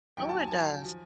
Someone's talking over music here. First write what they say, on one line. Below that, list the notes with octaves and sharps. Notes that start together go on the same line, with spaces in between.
No. It does.
D#2 D#3 F#3 G5
A5
G#5
A5
G#5
F3